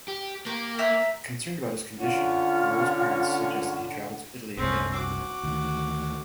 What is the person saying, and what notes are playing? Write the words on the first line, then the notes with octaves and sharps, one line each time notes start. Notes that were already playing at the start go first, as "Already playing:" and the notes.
Concerned about his condition, Moreau's parents suggested he travel to Italy again.
G4
A#3 G4
A#4 E5 G5
D3 C#4 F4 C#5 F#5
F#1 C2 C4 C#4
F#4 D6
D2 D#3